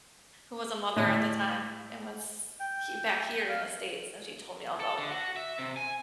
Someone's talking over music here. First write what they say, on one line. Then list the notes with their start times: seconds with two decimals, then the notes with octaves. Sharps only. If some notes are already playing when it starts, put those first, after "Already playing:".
who was a mother at the time and was he back here in the States, and she told me all about,
0.96 A2
2.60 G5
3.49 F5
4.80 A4
4.98 D3
5.11 F#4
5.36 E5
5.59 C3
5.77 G#5